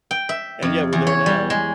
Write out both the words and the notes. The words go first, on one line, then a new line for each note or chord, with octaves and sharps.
And yeah, we're there now.
G5
E5
F2
E2
C#5
G3
G#3